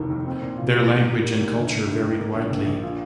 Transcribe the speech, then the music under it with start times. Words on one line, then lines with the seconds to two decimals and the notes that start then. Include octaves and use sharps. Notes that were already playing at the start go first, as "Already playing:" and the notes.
Their language and culture varied widely.
Already playing: F1 D#2 D#3
0.10 D#2
0.26 C4
0.42 A#2
0.58 F4
0.75 G3
0.90 D#3
1.07 A#3
1.22 A#3
1.39 D#2
1.55 G1
1.70 G2
1.87 G1
2.03 D#3
2.19 A#3
2.34 A#1
2.50 A#1
2.66 A#1
2.83 F4